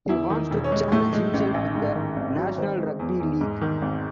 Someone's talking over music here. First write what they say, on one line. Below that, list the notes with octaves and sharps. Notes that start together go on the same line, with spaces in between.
He wants to challenge himself in the National Rugby League.
E2 E4
D#3
E1
C#4
G#3
A2 A3
G#3
A1
A1
G#2
D#3
G#1
F#3
D#3 C4
G#3
E2
E2
G#2
D#3
G#1